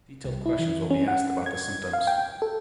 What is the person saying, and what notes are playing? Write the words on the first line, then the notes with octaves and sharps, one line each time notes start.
Detailed questions will be asked about the symptoms.
C2
E4
E3
C#4
F#5
G#6
F5
G5
A4